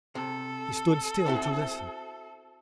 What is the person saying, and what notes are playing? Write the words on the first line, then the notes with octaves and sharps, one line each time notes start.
He stood still to listen.
C3 A4
C4 E4 F#4